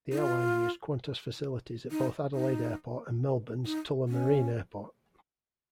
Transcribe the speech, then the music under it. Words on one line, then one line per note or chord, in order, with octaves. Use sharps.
The airline used Qantas facilities at both Adelaide airport and Melbourne's Tullamarine airport.
D#4
F4
D#4
D#4
D#4
C#4